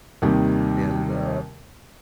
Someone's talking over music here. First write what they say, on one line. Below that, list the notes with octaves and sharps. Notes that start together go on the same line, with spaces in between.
and, uh
D#2 C3 D#3 G3